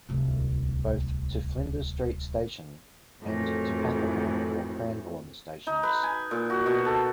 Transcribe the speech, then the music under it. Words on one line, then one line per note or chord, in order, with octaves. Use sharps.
Both to Flinders Street station and to Pakenham or Cranbourne stations.
D1 C2
F2 A2 D#3 E3 F#3
D#4
B4
G#5
A#2
F#4
B2
A4